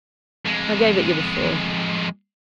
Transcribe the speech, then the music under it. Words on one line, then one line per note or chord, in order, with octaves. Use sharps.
'I gave it you before.
F2 G#3